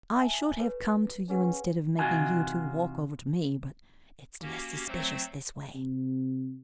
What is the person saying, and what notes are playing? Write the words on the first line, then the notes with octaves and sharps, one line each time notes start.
"I should have come to you instead of making you two walk over to me, but it's less suspicious this way."
E5 G#5 A5
A4 B4 C#5
C#4 G#4 B4 F#5
C3 E3 D#4 F4 F#4 G#5
A#3 C#4 F#4 G4
F#3 A3 C4 C5
C3